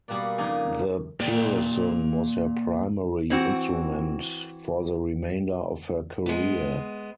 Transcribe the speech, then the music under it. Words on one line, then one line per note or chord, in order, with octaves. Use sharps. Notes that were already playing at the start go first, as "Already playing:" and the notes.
The Peresson was her primary instrument for the remainder of her career.
B2 G3 A#3 B4 D5
F2 C#3 A#3 D#4 D5 G#5
A#3 D5 G5
E3 C4 F#4
G#3 B3